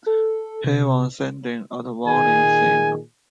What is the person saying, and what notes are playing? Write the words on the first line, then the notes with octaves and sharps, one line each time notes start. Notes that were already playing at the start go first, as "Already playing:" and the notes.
He was sending out warning signs.
A4
C3
A#2 D#3 G#4 G#5